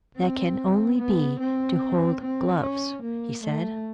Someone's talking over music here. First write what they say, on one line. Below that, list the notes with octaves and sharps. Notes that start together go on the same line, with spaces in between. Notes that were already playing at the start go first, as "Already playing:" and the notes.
"That can only be to hold gloves," he said.
C4
B3
C4
C4
C#4
A#3
A3